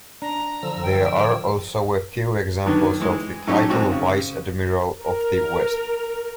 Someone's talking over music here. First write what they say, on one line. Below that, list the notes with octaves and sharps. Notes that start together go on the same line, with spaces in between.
There are also a few examples of the title Vice-Admiral of the West.
D4 A#5
D3 F3 E6
G5
D3 D#3 F#3 B3 D4
E3 G#3
F#3 A3 C#4 D#4 E4 G4
G#2 D#3 C4 F#4
C#3
A#4